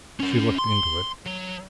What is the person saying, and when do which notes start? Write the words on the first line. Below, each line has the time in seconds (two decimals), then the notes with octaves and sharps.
She looked into it.
0.20 C#4 A#4
0.59 C6
1.26 F#3